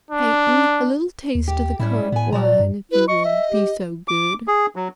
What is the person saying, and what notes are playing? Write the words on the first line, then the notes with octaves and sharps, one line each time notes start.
Peyton--a little taste of the currant wine, if you will be so good.
D4
D#2
G4
A2 G3 C#4 E4
A2 B3 G#5
A#2 F#3 D5 A#5
G2
E4 B4
D#5 C#6
E5
G4
D6
G#4
F#3